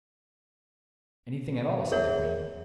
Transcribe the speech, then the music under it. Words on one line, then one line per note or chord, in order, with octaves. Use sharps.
"Anything at all," said the queen.
G#4 A#4 C#5 E5 F#5